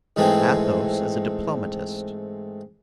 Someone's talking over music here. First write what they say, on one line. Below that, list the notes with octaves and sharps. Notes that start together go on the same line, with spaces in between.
Athos as a Diplomatist.
G#2 E3 G#3 A3 C4